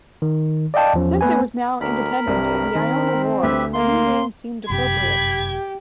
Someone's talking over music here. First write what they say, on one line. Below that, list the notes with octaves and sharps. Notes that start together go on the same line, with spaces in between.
Since it was now independent of the Iona Ward, a new name seemed appropriate.
D#3
D5 D#5 F5 G5 A5
E2 F3 C#4
A3 B3 B4 G#5
D2 A#4 B5
C2 G2 C4
D#3 C4
D2 G4 B4 E5
A#3 C6
G1 F#2 C3 G4 B5 G#6